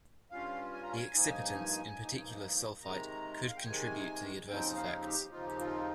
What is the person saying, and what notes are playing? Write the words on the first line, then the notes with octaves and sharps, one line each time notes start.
The excipients, in particular sulphite, could contribute to the adverse effects.
G2 G3 C#4 F4 F5
G#5
A#5
G#5
G2 F3 A#3 D#4
G2 F3 A#3 D#4
C3 D#3 G#3 A#5
F5
G5
C3 D#3 G#3 G#5
D#2 C#3 F3 C4 D#4 G5
F5
G4
D#2 C#3 F3 C4 D#4 F4
G4
F4